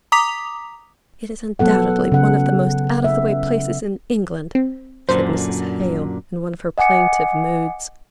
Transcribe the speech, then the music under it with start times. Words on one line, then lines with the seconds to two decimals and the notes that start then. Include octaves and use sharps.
'It is undoubtedly one of the most out-of-the-way places in England,' said Mrs. Hale, in one of her plaintive moods.
0.12 A#5 D6 D#6 B6 F7
1.59 F#3 B3 A4 F#5
2.12 C#3 F#5
3.04 E5
4.55 C4
5.09 F#2 A#2 D3 C5
6.78 D#5 F#5 G#5 D6 C#7